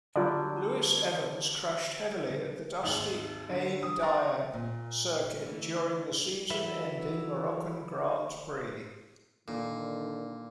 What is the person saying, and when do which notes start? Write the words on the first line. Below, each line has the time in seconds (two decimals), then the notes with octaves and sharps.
Lewis-Evans crashed heavily at the dusty Ain-Diab circuit during the season-ending Moroccan Grand Prix.
0.16 D3 F#3 G3 F4 D5
2.83 G#1 D#2 G#4
3.50 D3 F#3
3.83 D#6
4.02 D5 A#5 C6
4.54 A#2
5.44 D3 E3 A3
6.50 E3 F#3 A4 B4 E5
9.48 A#2 D3 D#3